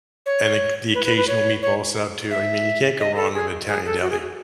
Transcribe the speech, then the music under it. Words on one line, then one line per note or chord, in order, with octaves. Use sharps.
and the the occasional meatball sub too. I mean, you can't go wrong with Italian deli.
C#5
B4
B4
B4
C#5
C#5
E5
D#5
A4
G#4
G#4
A4
F#4
G#4